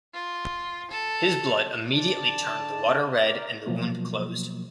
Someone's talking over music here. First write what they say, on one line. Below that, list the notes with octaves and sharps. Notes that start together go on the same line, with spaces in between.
His blood immediately turned the water red and the wound closed.
F4
A4
D3 D5 A5
A#4 D5
B2 F3 F#3 A#3